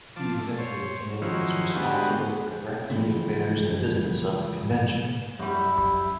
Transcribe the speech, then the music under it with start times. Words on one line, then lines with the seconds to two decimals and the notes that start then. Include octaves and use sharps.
The executive committee is responsible for directing the affairs and business of the convention.
0.16 F3 A5 D6
0.38 A3
0.58 C5 C#5
1.22 D#3 F3 F#3 C#4 E4 C5
1.76 D3 G#3 B3 F#4 G4
2.90 C#3 E3 F3 G3 G#3
5.39 F#2 G3 E4